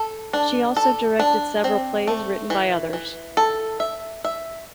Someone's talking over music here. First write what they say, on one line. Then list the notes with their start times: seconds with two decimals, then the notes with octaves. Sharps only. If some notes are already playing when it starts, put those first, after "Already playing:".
She also directed several plays written by others.
Already playing: A4
0.33 D4
0.76 A4
1.19 D4
1.64 C4
2.07 A3
2.50 E3
2.93 E3
3.37 A4
3.80 E5
4.24 E5